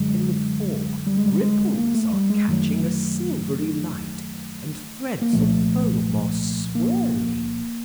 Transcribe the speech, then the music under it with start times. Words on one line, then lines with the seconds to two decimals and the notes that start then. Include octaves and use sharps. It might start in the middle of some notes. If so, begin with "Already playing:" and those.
In the fore, ripples are catching a silvery light, and threads of foam are swirling.
Already playing: F#2 D3 F#3 G#3
1.07 G3
1.17 G#3
1.26 G3
1.41 G#3
1.78 A#3
1.95 A3
2.13 G3
2.30 G#3
2.48 F#2 D#3 F#3 A3
5.22 A#3
5.33 C2 A#2 F3 A3
6.75 A#3